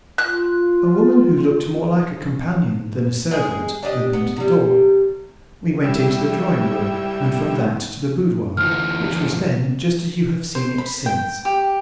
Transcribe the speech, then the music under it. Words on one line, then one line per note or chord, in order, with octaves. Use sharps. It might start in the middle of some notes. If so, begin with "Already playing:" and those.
A woman who looked more like a companion than a servant opened the door. We went into the drawing-room, and from that to the boudoir, which was then just as you have seen it since.
F4 F#6
G#3 G#4
D4 G4 C5 D#5
B3
C3 G3
G3 E4
D2 E3 F6
C5
B5
G5
G4